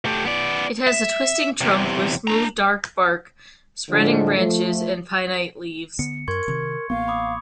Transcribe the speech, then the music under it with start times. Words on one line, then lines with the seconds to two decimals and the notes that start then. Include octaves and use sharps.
It has a twisting trunk with smooth dark bark, spreading branches and pinnate leaves.
0.06 A3 G4
0.25 B3 D5
0.87 E5
1.61 E2 C3
2.28 D4 A#5
3.90 A2 D3 F3 G#3
4.37 F3 A3
5.99 D3 B3 C#7
6.28 F#2 A#4 C6 C#6 G#6
6.48 C3 D#3
6.90 A1 A#3 B3 F5 C#6
7.08 B5 D6 D#6